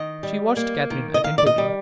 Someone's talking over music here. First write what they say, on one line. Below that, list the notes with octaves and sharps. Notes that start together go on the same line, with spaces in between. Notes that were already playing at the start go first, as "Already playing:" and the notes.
She watched Catherine attentively.
Already playing: D#3 D#5
G3
A#3
D#3
D#5
D#3 F5
D5
D#5
G3